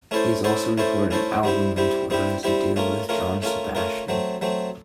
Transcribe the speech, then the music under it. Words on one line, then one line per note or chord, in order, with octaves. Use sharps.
He has also recorded an album and toured as a duo with John Sebastian.
A3 C#4 E4 A4 C5
A3 C#4 E4 A4 C5
A3 C#4 E4 A4 C5
A3 C#4 E4 A4 C5
G3 C4 E4 G4
G3 C4 E4 G4
G3 C4 E4 G4
G3 C4 E4 G4
A3 C#4 F4 A#4
A3 C#4 F4 A#4
A3 C#4 F4 A#4
A3 C#4 F4 A#4
F#3 A3 C4
F#3 A3 C4